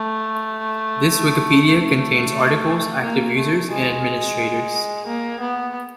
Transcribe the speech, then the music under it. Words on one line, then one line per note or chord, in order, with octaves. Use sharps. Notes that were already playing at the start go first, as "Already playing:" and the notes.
This Wikipedia contains articles, active users, and administrators.
Already playing: A3
A3
A#3
A3
G#3
A#3
B3